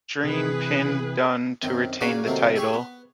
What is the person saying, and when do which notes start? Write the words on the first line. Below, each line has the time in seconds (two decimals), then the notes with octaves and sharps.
Dream pinned Dunne to retain the title.
0.24 C3 E3 G#4 B4
1.62 F#2 D#3 C4
2.01 C#3 A#3 F#4 C#5 D5 F#5
2.26 C3 D#3 F#3 A3 A#3
2.56 E4 G4 G#4 C#5 G5 C#6
2.73 B3